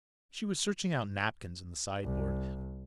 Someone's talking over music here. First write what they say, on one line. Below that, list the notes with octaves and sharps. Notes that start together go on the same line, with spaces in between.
She was searching out napkins in the sideboard.
C2